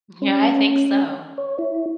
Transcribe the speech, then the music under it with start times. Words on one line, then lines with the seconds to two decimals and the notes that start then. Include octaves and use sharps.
Yeah, I think so.
0.22 C#4
1.38 C#5
1.59 E4